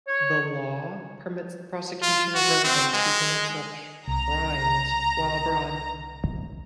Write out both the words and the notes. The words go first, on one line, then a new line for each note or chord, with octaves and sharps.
The law permits the prosecution of residents who commit such crimes while abroad.
C#5
F4
F#4
C4
G#3
C2 A#5